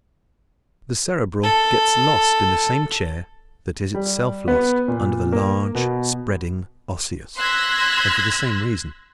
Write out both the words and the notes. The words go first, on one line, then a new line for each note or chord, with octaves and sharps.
The Cerebral gets lost in the same chair that is itself lost under the large, spreading Osseous; and for the same reason.
A4
G3
B3
A#2
A#3
B2
C6 E6 F#6 G#6 A#6 B6